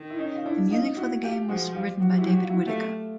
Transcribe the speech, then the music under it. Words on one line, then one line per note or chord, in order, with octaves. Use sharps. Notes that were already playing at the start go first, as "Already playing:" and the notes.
The music for the game was written by David Whittaker.
Already playing: D#3
E4
C#4 D#4
F4
D4 E4
D#4 F4
E4 F#4
F4 G4
F3 F#4 G#4
F4 G4
F#4
G4
E4 F#4
F#3 G4
F#4
F4
E4 F#4
A3 F4 G4